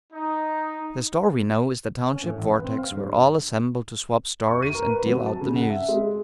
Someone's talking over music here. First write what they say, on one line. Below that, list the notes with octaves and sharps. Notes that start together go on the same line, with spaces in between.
The store we know is the township vortex where all assemble to "swap stories" and deal out the news.
D#4
C#4
A2
A1
B4
C4
F5
G2
C#6
D#7
A#4
B4
F#3
A5
C#3
F#5
E5
G#3